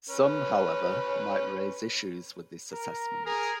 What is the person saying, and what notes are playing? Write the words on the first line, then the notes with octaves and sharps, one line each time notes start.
Some, however, might raise issues with this assessment.
C#4 B4
A#4
G#4 A#4